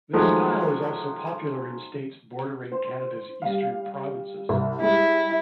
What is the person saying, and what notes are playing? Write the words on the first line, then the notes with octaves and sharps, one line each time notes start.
This style is also popular in states bordering Canada's Eastern provinces.
D#3 F3 F#3 G#3 A3
C5
G3 F5
C2
G3 G#3 E4